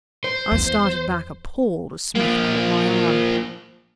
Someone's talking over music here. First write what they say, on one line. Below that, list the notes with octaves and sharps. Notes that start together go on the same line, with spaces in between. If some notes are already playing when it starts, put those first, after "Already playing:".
I started back appalled as Smith caught my arm.
C5
E2
F3 A#3